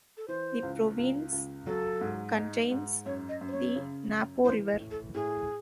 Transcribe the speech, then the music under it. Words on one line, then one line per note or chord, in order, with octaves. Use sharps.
The province contains the Napo River.
A4
E3 C5
C#2
C#2
C#2
F#3 A4
G#2
D#4
G#2
F#2 C#5
D#5
F#2
C5
C#5
C#3
F#2
E3 C5
A2
A4
A2 G#4